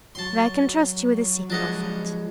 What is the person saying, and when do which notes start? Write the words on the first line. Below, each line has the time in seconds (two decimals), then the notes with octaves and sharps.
But I can trust you with a secret, old friend!
0.15 F#3 A5 C6
1.50 F3 G#3 D4 D#5 F#5